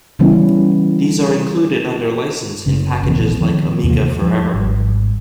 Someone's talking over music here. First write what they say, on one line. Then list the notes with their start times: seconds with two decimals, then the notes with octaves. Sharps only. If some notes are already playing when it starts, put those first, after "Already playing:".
These are included under license in packages like Amiga Forever.
0.19 C#3 E3 G3 B3 C#4 E4
2.66 F#1 C#3
3.06 D#1 A#1 E3 B3
3.41 D#3 F3 G3 C4
3.84 D#2 C3 E3 A#3
4.22 F3
4.54 G#1 G3